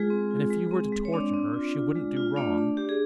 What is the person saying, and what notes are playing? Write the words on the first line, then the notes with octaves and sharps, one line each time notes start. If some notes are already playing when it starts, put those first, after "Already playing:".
And if you were to torture her, she wouldn't do wrong.
Already playing: G#3 F4 G#4
C4
F4
G#3
C4
G#3
C#5
C4 D4 D5
C4
F4
F4
G#3
F4
A3 D4 D5
D4
D4 G4
G#4